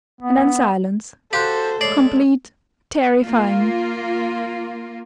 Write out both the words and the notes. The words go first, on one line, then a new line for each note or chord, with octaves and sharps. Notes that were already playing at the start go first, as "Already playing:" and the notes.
And then silence,--complete, terrifying.
B3
F#4 G4 A4 C5 F5 C6 F#6
G#3 A3 C#5 D5 D6 C7
A#3 F4